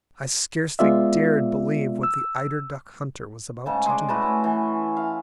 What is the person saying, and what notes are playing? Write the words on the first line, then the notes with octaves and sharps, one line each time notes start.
I scarcely dared believe what the eider-duck hunter was about to do.
G#3 B3 F4 D5 E5
E6
G#2 C#3 A5
G#3 D5
A2 F#4 B4 A5
C#4
E3
F5